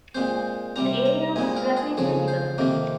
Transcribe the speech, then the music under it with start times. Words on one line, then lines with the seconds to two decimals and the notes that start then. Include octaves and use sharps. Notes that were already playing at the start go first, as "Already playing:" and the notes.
The area was rapidly developing.
0.15 A#2 G#3 C4 C5
0.76 C3 G3 C4 A#5
1.06 A#5
1.36 A#2 G#3 C4 G#5
1.56 A#4
1.77 G#4
1.97 F2 C#3 F3 G#4
2.28 C5
2.58 F2 C3 D#3 A#3